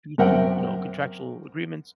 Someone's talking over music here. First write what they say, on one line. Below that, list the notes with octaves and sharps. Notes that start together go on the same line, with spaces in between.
due to, you know, contractual agreements
F#2 C4 A#4 E5 F#5 G5